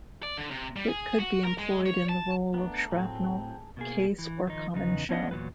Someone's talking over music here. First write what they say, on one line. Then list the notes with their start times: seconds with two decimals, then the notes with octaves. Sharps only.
It could be employed in the role of shrapnel, case or common shell.
0.23 D5
0.37 D3
0.51 C3
0.76 G3
0.88 G#4
1.20 F#4
1.45 A#4
1.59 G#3
1.86 C#5
2.09 A5
2.54 A3 B3 D4 A#4
2.91 A2 F#3 C4 G#4 A4
3.76 B2 A#3 G#4
4.19 E3
4.47 D#3 F3 D#4
4.74 E2 C#3 D#4 B4
5.09 B3 C#4 D4 C#5 D#5 F#5
5.31 E2 A#2 F#3 G#3 B4